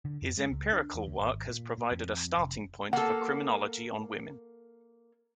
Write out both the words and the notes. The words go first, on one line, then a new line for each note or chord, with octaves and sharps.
His empirical work has provided a starting point for criminology on women.
D3
F2
G#3
C#2
D4
E2
D2
G#1
A#2
A#2
F2
F1
A#3 A4 F#5